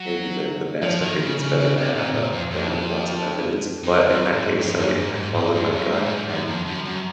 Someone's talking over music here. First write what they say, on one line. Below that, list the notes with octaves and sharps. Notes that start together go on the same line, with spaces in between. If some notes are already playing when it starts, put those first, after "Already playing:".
maybe the the best. I think it's better to have a a plan with lots of evidence, but in that case, I I followed my gut and
Already playing: F#3
F3
D#3
C#3
C#3
C#3
C3
A#2
A#2
F2
F2
F2
F#2
G#2
F2
F#2
G#2
G#2
G#2
F2
F#2
G#2
A#2
G#2
F#2
F2
F#2
F#2